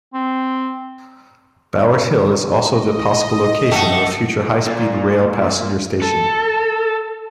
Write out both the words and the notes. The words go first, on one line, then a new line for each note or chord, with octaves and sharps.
Bower's Hill is also the possible location of a future high-speed rail passenger station.
C4
D#5
D#1
G2 A3 F#5 G5
A#2
A4